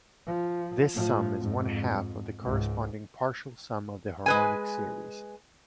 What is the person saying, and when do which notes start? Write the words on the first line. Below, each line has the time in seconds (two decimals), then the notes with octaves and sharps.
This sum is one half of the corresponding partial sum of the harmonic series.
0.26 F3
0.94 A2 F3
1.37 F2 G#2
2.42 C#2 G#2
4.26 G#3 B4 G#5